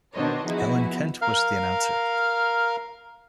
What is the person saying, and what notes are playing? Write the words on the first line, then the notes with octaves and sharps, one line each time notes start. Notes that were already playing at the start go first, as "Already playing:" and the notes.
Alan Kent was the announcer.
B2 D#3 D4 C5 C#5 D#5
F3 B3 D#4 E4 F#4 G#4
A#4 F5 F6